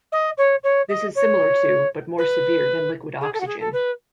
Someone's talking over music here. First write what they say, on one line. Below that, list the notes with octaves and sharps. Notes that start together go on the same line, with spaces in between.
This is similar to, but more severe than liquid oxygen.
D#5
C#5
C#5
D#5
C#5
B4
G#4
A4
F#4
G#4
A4
B4